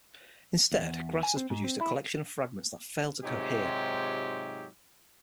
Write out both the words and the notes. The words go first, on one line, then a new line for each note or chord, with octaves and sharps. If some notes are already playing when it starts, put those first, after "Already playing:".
Instead Grass has produced a collection of fragments that fail to cohere.
E2
G#5
C4
G#2
C4
E4
G#2 C3 F#3 D#4 F4 G4